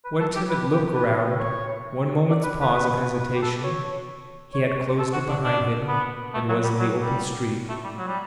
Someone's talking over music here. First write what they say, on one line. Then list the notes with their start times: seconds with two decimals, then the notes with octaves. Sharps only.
One timid look around--one moment's pause of hesitation--he had closed it behind him, and was in the open street.
0.05 B4
0.20 A4
0.35 G4
0.49 B4
0.73 G4
0.95 B4
1.39 C#5
2.30 D5
2.44 B4
2.60 B4
2.75 B4
3.20 B4
3.36 G4
3.42 A4
3.64 C#5
4.54 C#5
4.99 A4
5.14 F#4
5.28 D4
5.45 D4
5.88 B3
6.34 A3
6.49 F#3
6.64 G3
6.79 F#3
7.02 G3
7.69 A3
7.84 G3
7.98 F#3
8.08 G3